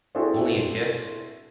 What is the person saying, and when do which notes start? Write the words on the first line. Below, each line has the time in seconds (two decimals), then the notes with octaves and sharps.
Only a kiss?
0.15 C4 D4 E4 F#4 G#4 A4